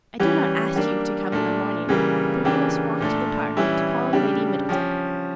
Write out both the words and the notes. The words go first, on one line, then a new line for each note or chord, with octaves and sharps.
"I do not ask you to come in the morning, for we must walk to the park, to call on Lady Middleton."
E3 G3 C#4 G4
G3 A#3 D4
A#2 A3 D4
C#3 E3 G3 A#3
C#3 E3 A#3 D4 G4
A#2 A3 D4 A4
E3 G3 C#4 E4
C#3 G3 D4 G4
F3 C#4 G4